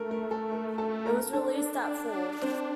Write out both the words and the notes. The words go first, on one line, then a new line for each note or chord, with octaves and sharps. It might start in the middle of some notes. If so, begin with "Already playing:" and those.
It was released that fall.
Already playing: A3 A4 A#4
A#4
A4
A#4
A4 A5
A#4 A#5
D4 A4 A5
C4 C5